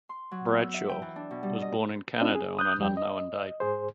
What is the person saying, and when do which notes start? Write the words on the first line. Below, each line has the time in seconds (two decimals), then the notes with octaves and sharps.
Bradshaw was born in Canada on an unknown date.
0.09 C6
0.31 F#3
0.48 B3
0.59 E6
0.74 E5
0.89 G5
1.02 E3
1.16 D4
1.31 B2
1.43 G3
1.62 D#5
2.21 C4 D4 D#4 F4
2.35 G#4
2.59 D#6 F#6 G6
2.79 F2 G3 G5
2.97 D#5
3.60 G#2 G#4 C5